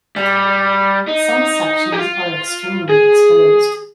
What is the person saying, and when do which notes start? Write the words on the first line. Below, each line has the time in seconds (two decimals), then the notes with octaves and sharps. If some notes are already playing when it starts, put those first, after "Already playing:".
Some sections are extremely exposed.
0.16 G3
1.08 D#4
1.92 G4
1.99 F4
2.89 G#4